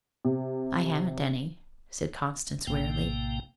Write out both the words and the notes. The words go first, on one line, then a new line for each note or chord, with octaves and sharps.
"I haven't any," said Constance wearily.
C3
A#1 A2 C3 A#3 G5